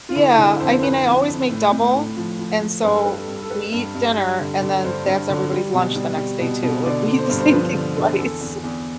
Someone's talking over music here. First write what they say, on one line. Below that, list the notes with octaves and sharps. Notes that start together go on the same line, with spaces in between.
Yeah, I mean, I always make double, and, so, we eat dinner and, then, that's everybody's lunch the next day, too, like, we eat the same thing twice.
F4
D3 E4
D3 E4
F2 C5
F2 B4
F2
F2
A2
A2
A2
F3
F3
F3
G2 B4
A4
G3 B4
A4
G2
A4
G3 B4
G2
G2
G3
D3
D3
G2 C5
G2
D3
G3
B2
G3
G3
B2
B2
D3 D5
D3
C5
G2
C5
F3 B4
D3
D3
E2 A4
E2
E2